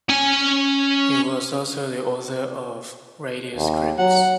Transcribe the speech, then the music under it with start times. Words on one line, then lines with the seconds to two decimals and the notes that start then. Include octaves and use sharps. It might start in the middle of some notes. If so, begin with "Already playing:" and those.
He was also the author of radio scripts.
0.09 C#4 G#5
3.57 D#2
3.99 F#3 F#5